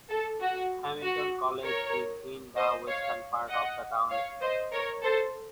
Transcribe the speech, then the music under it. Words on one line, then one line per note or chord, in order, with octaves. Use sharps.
Hamilton College is in the western part of the town.
A4
F#4
F#4
A#4 C#5
C5 D#5
C#5 F5
D#5 F#5
C#5 F5
C5 D#5
A#4 C#5
A4 C5